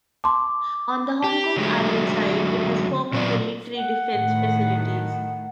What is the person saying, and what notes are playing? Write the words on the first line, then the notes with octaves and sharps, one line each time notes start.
On the Hong Kong Island side, it has former military defence facilities.
A5 C6 D6
G4
D3 F#3 G#3 A3
A#2 F#3 B3 F4 D5
F#5
A2 D#3